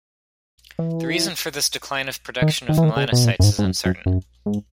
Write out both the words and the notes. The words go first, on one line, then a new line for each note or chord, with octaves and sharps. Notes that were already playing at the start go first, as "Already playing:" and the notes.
The reason for this decline of production of melanocytes is uncertain.
E3
D#3
D#3
E3
D#3
C#3
B2
A#2
F#2
G#2
G#2
F#2
F#2
F#2
G#2